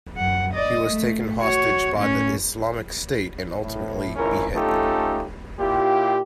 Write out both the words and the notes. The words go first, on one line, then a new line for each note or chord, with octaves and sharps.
He was taken hostage by The Islamic State, and ultimately beheaded.
F#2 F#5
D5 D#5
A3
F#4 C#5
A2 C#4
A2
G#1 C#2 C#4 E4 A#4
A3 C#4 D#4 F4 G4 A4
A#2 E4 F4 G4